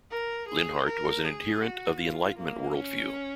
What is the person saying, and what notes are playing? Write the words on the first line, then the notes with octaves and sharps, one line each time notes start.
Linhart was an adherent of the Enlightenment worldview.
A#4
G#4
A#4
G#4
F#4
F4
A#3
C#4